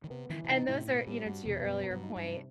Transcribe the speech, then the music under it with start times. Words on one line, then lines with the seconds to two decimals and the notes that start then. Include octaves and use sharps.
And those are, you know, to your earlier point,
0.04 D#3
0.10 C3 B3
0.30 D#3 E3
0.44 B2
0.49 C3 D#4
0.68 A2 C3
0.88 B2 C4
1.07 A2 G3
1.26 G2 F#4
1.45 E2 B2
1.64 F#2 B3
1.83 F#3
1.91 G2
2.03 D#4
2.16 G2
2.22 C3